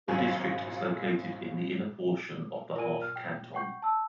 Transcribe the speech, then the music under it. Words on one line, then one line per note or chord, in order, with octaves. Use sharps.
The district is located in the inner portion of the half canton.
G#1 C#2 F#3 C#4 G#5
F4 A#4 D5 G#5 D#7
F6
G5
F#5 G5 C#6 G6
A5 E6